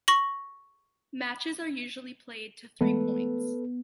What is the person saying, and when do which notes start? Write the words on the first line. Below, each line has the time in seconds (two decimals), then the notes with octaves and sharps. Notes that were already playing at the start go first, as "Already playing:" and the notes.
Matches are usually played to three points.
0.08 C#6 A#6 F#7
2.81 E3 G#3 A3 B3 A4 B4